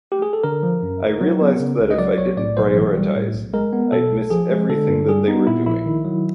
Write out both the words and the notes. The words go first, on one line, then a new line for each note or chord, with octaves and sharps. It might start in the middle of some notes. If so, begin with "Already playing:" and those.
I realized that if I didn't prioritize, I'd miss everything that they were doing.
G4
G#4
A4
D3 A#4
F3
F#2
G1
F#3
B3
C#3
C#2
D#5
F#3 D5
B1 C#5
A2 D5
B1 C5
E3
G3
A2
B1
G#3 A#4
B3
B2 A4
B1
F3 G#4
G#3
D3 A4
G2
G3 G#4
B3 D#4
A#2 E4
A#1 E4
D#3
F#3